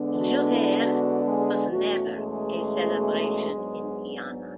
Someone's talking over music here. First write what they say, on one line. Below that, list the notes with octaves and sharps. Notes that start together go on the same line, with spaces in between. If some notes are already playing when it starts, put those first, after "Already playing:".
Jouvert was never a celebration in Guyana.
Already playing: D3 G#3 B3 D4
F#4
E4
F#4
G#3 G#4
E2 B2 A3 C#4 F#4
G#3 G#4
G#2 F#3 B3 D4